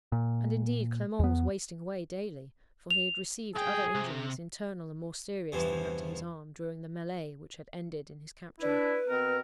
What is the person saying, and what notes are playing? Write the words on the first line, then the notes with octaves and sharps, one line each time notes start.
And, indeed, Clement was wasting away daily; for he had received other injuries, internal and more serious than that to his arm, during the melee which had ended in his capture.
A#2
E2 B3
F7
B1 G#4 G5
C3
E2 G2 C3 E3 F3
D4 E4 B4
B2 C4 A#4